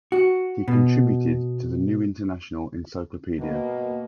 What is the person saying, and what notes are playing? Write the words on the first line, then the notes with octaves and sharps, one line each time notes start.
He contributed to the New International Encyclopedia.
F#4
B2
B2 A#3